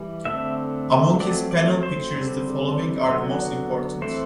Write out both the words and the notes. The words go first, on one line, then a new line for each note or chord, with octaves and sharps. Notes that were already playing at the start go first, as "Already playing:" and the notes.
Among his panel pictures the following are the most important.
Already playing: E3 G3
D3 A3 C4 E5
F#3 A3 C4 D5
D5
C5
D3 G3 C4
D3 F#3 B3
E3 A3 C4 C5